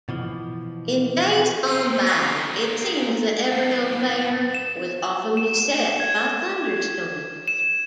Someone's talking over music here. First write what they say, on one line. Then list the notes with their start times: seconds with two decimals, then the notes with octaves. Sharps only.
In days gone by it seems that Ebernoe Fair was often beset by thunderstorms.
0.09 B2 E3 F3
1.67 D#4 F4
3.52 F#2 A2
4.54 E7
5.37 E7
6.00 G#6
7.48 E7